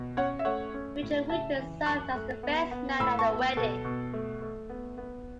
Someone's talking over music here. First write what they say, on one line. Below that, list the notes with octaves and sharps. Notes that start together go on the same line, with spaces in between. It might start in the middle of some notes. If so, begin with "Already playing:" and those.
Richard Winters served as the best man at the wedding.
Already playing: B2
C#4 C#5 F#5
E5
A3 C#5 F#5
C#4
A2
C#3 E5 A5
E3
F#2 C#6 F#6
A3
B3
B3
A2 B5 E6
A5 C#6
B3
B2 A4
B2
A3
A3
B3
B3